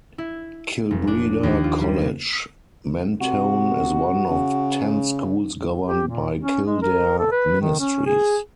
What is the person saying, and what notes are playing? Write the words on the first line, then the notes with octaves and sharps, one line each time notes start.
Kilbreda College, Mentone is one of ten schools governed by Kildare Ministries.
E4
F1
D4
D#2
F4
G3
C3 F#4
C#3
G4
A#2
C#4
G#3
A#4
A4
B4
D#3
C#4
G#4